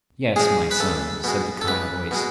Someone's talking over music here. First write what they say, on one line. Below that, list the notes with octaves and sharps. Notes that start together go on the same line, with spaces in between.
"Yes, my son," said the kind voice.
F3 G#3 G#4
B4
C#2 A4
B2 G#3
A4
C#2 B4
B2 G#3